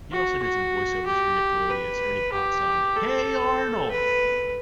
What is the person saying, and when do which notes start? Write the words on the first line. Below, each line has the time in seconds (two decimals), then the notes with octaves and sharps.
He also did some voiceovers for Nickelodeon as Ernie Potts on Hey Arnold!
0.11 F#4
0.43 F#4
1.06 G4
1.69 B4
2.32 G4
2.96 A4
3.91 B4